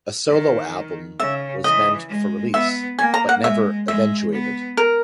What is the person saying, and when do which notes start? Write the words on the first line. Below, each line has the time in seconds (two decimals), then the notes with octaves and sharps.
A solo album was meant for release but never eventuated.
0.30 D#3
1.20 C#3 E5
1.64 E3 D#5
2.09 G#3
2.54 B3 E5
2.99 A#3 G#5
3.14 A#5
3.29 F#5
3.44 G#3 E5
3.88 G#3 E5
4.33 B3
4.77 A#4